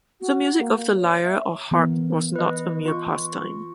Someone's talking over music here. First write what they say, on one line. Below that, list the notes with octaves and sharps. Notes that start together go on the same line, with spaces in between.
The music of the lyre or harp was not a mere pastime.
F#4
A#3
A#3
C#5
E5
E3 B3 A#4
B4 D#5
F4 C#6